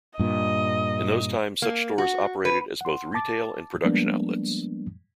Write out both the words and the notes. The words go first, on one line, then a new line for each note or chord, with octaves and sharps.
In those times such stores operated as both retail and production outlets.
G2 A#2 D#5
A#3
F#4
B4
F#5 C6
A5 D6 A6
F3 G3 G#3 A#3 B3 D4